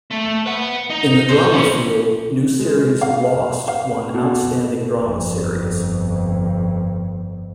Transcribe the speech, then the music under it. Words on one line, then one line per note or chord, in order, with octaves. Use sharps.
In the drama field, new series "Lost" won Outstanding Drama Series.
A3
B4 F#5
D#4
G#2 C5
E3 C#4
G#3
F5
F5
B2
G1 F2